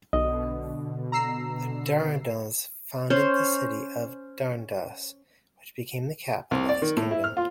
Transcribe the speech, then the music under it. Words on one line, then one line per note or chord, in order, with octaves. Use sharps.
There Dardanus founded the city of Dardanus which became the capital of his kingdom.
B1 B2 D3 D#5
A#5 E6 C7
C#4 C5
C2
D5
D#3
A2
E4
F6
F4